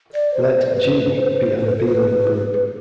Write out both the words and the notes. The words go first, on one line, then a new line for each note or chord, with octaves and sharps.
Let "G" be an abelian group.
D5
C5
B4
C5
C5
B4
A4
B4